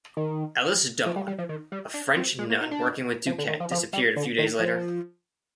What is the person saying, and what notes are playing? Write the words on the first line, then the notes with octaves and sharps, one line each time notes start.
Alice Domon, a French nun working with Duquet, disappeared a few days later.
D#3
F3
G3
G3
F3
D#3
G3
D4
C4
G#3
A#3
D#4
D4
F3
D3
D#3
F3
F3
G3
D3
D#3
F3